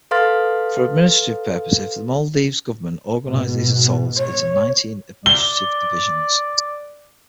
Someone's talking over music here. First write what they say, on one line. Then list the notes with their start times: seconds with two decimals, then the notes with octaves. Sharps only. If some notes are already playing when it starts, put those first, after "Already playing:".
For administrative purposes the Maldives government organized these atolls into nineteen administrative divisions.
0.11 A4 B4 F5 C6 F6 A6
3.26 G#2 B2
4.17 C#5
5.26 D5 G7